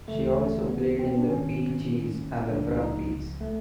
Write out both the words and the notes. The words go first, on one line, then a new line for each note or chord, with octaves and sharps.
She also played in The PeeChees and The Frumpies.
D2 C#3 E3 A3
A3
B3
C4
D4
G#1 G#2 D#3 C#4
C#2 C#3 F3 D4
D#4
A3